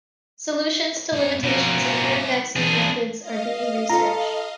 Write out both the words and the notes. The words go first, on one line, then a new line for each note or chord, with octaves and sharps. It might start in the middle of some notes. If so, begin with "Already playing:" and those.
Solutions to limitations in current vaccine methods are being researched.
F2 C#5
B2 F3 A#3
E4 C5
E2 C4 D4 G#4
D#5 F5
F4 A4 A#5